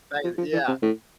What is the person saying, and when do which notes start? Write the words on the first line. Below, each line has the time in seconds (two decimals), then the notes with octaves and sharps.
Right, yeah.
0.24 F3
0.38 F3
0.53 E3
0.68 C3
0.82 A2